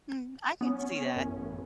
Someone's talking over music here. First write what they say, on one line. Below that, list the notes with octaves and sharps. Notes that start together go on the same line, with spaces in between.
Mm, I could see that.
B3 C#4
A1 F#2